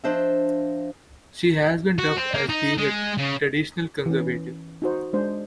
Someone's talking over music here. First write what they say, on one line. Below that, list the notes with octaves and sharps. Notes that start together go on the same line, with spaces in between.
She has been dubbed as being a 'traditional conservative'.
F3 D4 C5 D#5 E5
F#4
C4
A#3
D#4
G#3
C#3
E3 C#4
D#4 F#4 C5
G#3 D4 C5